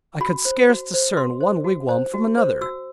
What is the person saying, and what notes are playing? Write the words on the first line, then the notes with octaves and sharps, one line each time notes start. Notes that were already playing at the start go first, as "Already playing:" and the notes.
I could scarce discern one wigwam from another.
F#4 B5
C5
F#4
C5
F#4 C6
C5
F#4
C5
F#4
C5
F#4 E6